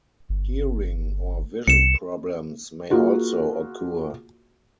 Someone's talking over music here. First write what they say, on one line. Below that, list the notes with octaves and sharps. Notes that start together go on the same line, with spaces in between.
Hearing or vision problems may also occur.
G1
C2 C#7 E7
A#3 F4 F#4 G#4